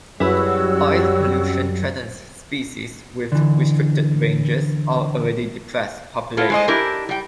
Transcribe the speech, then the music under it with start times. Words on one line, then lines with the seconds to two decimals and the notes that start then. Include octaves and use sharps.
Oil pollution threatens species with restricted ranges or already depressed populations.
0.20 F#2 G3 E4 F#4 G#4 B4 C#5 E6
3.32 D3 E3
6.37 B3 E4 F4 A4
6.50 G#3 C5 D#5
6.68 D4 E4 G4 A#4
7.09 G3 G5